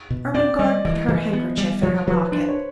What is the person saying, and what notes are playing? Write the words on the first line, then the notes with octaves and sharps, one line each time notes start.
Ermengarde put her handkerchief in her pocket.
B2
C4 D5
G3 D#5
E3
E3
B3
G3
F3 C#5
F3 B4
D4 C5
C#5